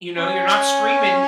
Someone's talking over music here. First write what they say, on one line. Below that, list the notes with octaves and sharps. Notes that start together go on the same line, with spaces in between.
you know, you're not streaming
C#4